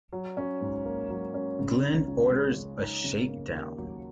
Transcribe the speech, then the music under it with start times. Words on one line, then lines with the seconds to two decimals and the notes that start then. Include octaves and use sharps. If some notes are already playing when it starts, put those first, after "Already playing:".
Glynn orders a shakedown.
0.12 F#3
0.37 C#4
0.61 G#2
0.85 A#3
1.10 F#3
1.34 C#4
1.59 C#3
1.83 D#4
2.08 C#2
2.32 G#3
2.55 C#3
2.80 D#4
3.04 C#3
3.29 A#3
3.53 D#2
3.78 F#3